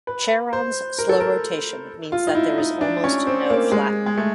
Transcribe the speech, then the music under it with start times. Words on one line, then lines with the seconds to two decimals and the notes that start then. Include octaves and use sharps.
Charon's slow rotation means that there is almost no flattening.
0.07 B4
0.53 C5
0.98 A#4
1.09 A4
1.20 A#4
2.12 F4
2.27 D#4
2.35 E4
2.58 D#4
2.81 D4
3.04 C#4
3.27 C4
3.50 A#3
3.72 G#3
4.06 G#3
4.17 A3